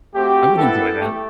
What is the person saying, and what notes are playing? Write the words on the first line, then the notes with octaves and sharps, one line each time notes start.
I would enjoy that.
A3 C4 F#4 G4
G3 B3 E4 G4 A4
A3 G4